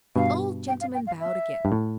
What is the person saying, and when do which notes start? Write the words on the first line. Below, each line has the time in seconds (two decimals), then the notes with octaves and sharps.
The old gentleman bowed again.
0.16 G2 B2 F5
0.68 G5
0.81 F5
0.94 G5
1.07 F5
1.20 E5
1.65 G2
1.72 A2